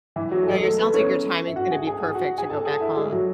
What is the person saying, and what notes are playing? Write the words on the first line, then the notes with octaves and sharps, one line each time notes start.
no your sounds like your timing's gonna be perfect to go back home.
E3 E4
F#3 F#4
A4
G#3 G#4
A3 A4
B3 B4
C#4 C#5
E5
F#4 F#5
G#4 G#5
G#4 G#5
G#4 G#5
F#4 F#5
G#4 G#5
A4 A5
G#4 G#5
E4 E5
G#3 G#4
F#3 F#4